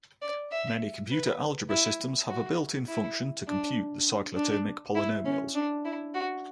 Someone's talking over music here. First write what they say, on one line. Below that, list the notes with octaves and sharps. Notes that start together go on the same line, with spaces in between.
Many computer algebra systems have a built in function to compute the cyclotomic polynomials.
D5
E5
B4
E4
F#4
E4
D4
D4
E4
C#4
D4
E4
F#4